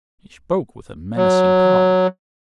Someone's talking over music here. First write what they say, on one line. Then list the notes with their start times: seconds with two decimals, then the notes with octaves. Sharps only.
He spoke with a menacing calm.
1.17 F#3